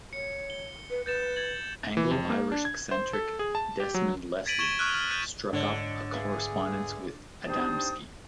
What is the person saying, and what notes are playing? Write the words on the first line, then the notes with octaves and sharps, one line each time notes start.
Anglo-Irish eccentric Desmond Leslie struck up a correspondence with Adamski.
C#5 C#7
G7
B4
B4 G6 A6 E7
G#6 A6 F#7
E3
F2
A#3
D4
G#6
C5
A4
G#4
A5
G4
F#3
G#6 A6 B6 D7 D#7 F#7
C#6 G#6 B6 E7 G7
C#6 D#6 F6 F#6
F6
F#6 G6 A6 D#7
G#2 D3 D4 C#5 D#5
G#4 B4 E5 F5
G3 C4 D4 D#4 C5 D#6